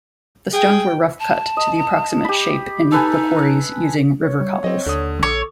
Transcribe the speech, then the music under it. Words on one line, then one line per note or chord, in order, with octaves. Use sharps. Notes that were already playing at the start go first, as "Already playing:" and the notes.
The stones were rough-cut to the approximate shape in the quarries using river cobbles.
G#4 G5
A5
D#5
G4 B5
D#4 A4 B4 G#5
C#5
G3
F#3 C4 D#5
D#2 D3 D#6
A#1 A4 C#5